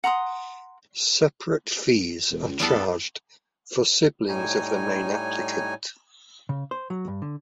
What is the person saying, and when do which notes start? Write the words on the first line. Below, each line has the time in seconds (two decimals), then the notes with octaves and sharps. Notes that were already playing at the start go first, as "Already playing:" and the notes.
Separate fees are charged for siblings of the main applicant.
0.04 F#5 A#5 C6 D#6
2.31 E1
2.48 C#2
2.60 E2 G3 B3 A4
4.28 A2 G3 D#4 C#5 G#5
6.49 C#3
6.71 C5
6.90 F#3
7.08 G2
7.22 D3